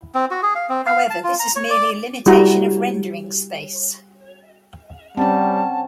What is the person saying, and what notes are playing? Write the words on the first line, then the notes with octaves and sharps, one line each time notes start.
However, this is merely a limitation of rendering space.
C4
F#4
G#4
F5
C4
F5
A5
F4
A#5
C#5
D5
G3 E4 F#4 A#5
G3 C4 C#4 F#5 A5